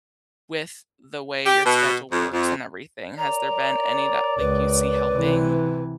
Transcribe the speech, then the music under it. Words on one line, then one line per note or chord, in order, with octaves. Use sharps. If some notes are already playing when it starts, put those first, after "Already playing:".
with the way your schedule works and everything? Has there been any that, like, you see helping?
G4
B2
F2
F2
A#4 C#5 D5 A#5
C#2 B4
C3 E3